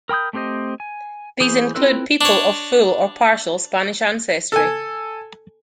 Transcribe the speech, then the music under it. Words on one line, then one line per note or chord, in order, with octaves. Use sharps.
These include people of full or partial Spanish ancestry.
A#4 G5 B5 D#6 G6
A3 C4 G4 C5 D#5
G#5
E3 G#4 C5
C4 E4 F4 A4 B4
D4 C#5
A4 G#5